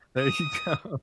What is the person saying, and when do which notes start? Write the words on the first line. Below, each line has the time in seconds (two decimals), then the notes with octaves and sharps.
There you go.
0.19 D#6